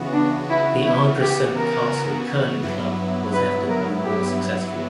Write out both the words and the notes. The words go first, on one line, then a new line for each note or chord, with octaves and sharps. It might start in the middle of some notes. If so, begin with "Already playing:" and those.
The Ardrossan Castle Curling Club was evidently more successful.
Already playing: C#3 E3 B3 F#4
D4
E4
E4
G4
A#4
G2 F#3 B3 E4
B4
A#4
G4